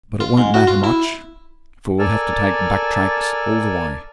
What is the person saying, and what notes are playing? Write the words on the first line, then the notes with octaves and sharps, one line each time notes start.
But it won't matter much, for we'll have to take back tracks all the way.
F4
G#2
F#4
F4
E4
A4 A#4 D5 G#5 E6 F6